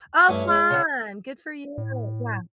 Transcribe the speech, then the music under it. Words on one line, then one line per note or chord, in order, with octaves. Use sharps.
Oh, fun! Good for you. Yeah.
G2 A3 C#4 E4
G#3
C#3 D4 F#5
A2